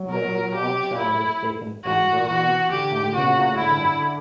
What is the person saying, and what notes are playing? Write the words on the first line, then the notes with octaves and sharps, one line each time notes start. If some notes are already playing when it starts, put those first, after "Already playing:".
The name Montshire is taken from "Vermont" and "New Hampshire".
Already playing: F#3
A#4
G4
E4
E3 F#4
E3 F#4
D3 G4
C#3 F#4
D3 E4